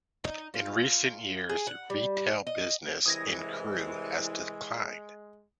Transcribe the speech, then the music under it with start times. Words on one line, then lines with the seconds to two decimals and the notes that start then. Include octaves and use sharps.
In recent years retail business in Crewe has declined.
0.24 D#4
0.54 F4
1.49 G#4
1.67 F#5
1.90 G3
2.47 D#5
3.06 C2 E3 G#3 D#6 G#6 A#6